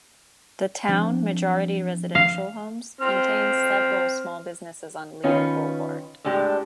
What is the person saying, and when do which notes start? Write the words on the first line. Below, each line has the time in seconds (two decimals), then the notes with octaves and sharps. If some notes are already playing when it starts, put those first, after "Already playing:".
The town, majority residential homes, contains several small-business' on Lido Boulevard.
0.89 F3 C4 D4
2.15 F5
3.01 C4 F6
5.23 D#3 C#4 F4 B4
6.24 A2 G#3 D4 G4